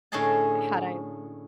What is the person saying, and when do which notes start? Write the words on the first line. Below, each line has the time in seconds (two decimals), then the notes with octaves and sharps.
had I
0.12 A2 D3 C#4 G#4 D#5 A5